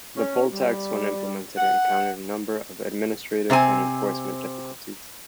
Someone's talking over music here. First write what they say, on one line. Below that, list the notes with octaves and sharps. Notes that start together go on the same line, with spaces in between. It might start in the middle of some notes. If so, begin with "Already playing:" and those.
The poll tax when implemented encountered a number of administrative and enforcement difficulties.
C#4
G3
F#5
C3 C4 C5 G#5